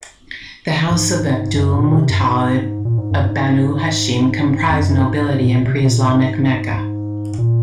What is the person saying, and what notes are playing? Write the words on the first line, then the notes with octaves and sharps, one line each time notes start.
The House of Abdul-Muttalib of Banu Hashim comprised nobility in pre-Islamic Mecca.
G#2
F#2
A#2
A#2
C3
F#2
G#2
A#2
G#2
F#2
G#2
F2
F#2
G#2
G#2
A#2
A#2
C3
C3
A#2
G#2
G#2
A#2